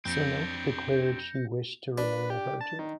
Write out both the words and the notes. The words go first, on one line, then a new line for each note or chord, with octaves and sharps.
Sinope declared she wished to remain a virgin.
F2 C4 D4 G6 A#6 C#7
D4 B4
G4
A5
D#3